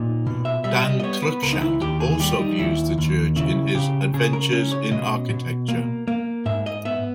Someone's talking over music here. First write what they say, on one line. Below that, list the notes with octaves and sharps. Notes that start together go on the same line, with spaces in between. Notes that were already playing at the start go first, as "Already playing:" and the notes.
Dan Cruickshank also views the church in his "Adventures in Architecture".
Already playing: A#2 D#4
B2
E5
G3 E5
D#5
D#5
B3 C#5
B4
C#2 A#4
D#4
E4
D#2 G4
G#4
G3 G4
D#4
D#2 E4
D#2
C#3 E4
C#3 G4
C#3 G#4
A#4
C#4
C#5
B2 D#5
B2
A#3
A#3
G#2 E5
D#5
B3 E5